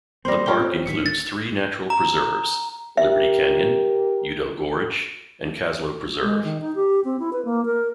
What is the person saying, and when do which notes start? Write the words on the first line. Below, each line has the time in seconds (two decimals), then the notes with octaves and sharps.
The park includes three natural preserves: Liberty Canyon, Udell Gorge, and Kaslow Preserve.
0.25 F2 G3 A#3 C4 C5 C6 A#6
0.46 C#4 F4 G4 G5 G7
0.61 C4
0.86 D1 D#3 B6 C#7
1.06 A6
1.90 A#5
2.97 G4 A#4 E5
6.23 G#3
6.44 D#3
6.61 D#4
6.76 G4
7.05 C4
7.20 E4
7.33 B4
7.45 A#3
7.65 A#4